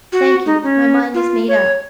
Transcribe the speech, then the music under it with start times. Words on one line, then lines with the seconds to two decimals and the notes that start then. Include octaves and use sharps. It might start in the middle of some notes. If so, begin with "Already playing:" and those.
'Thank you, my mind is made up.'
0.12 F#4
0.46 D#4
0.63 C#4
1.14 F4
1.48 C#5